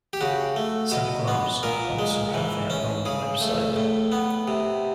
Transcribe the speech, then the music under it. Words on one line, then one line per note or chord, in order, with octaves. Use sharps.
Some clubs also have their own website.
G4
C#3 F#4
A3
B2
B3
A#2 A#4
G#3
E3
C#4
C#3 G#4
A3
A2
B3
C3